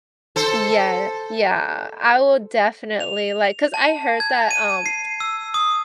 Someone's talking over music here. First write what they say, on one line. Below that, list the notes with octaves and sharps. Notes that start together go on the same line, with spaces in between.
Yeah. Yeah, I will definitely, like 'cause I heard that, um,
A4 C5
F7
A5
G#6
D#7
C7
E6
D#6